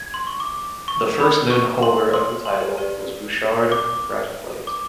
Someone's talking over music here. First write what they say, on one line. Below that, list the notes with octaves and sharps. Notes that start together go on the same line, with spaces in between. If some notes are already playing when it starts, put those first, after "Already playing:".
The first known holder of the title was Bouchard Ratepilate.
Already playing: G#6
C6
C#6
D6
C#6
B5
C#6
C6
C6
C6
G4 B4 D5
D6
D6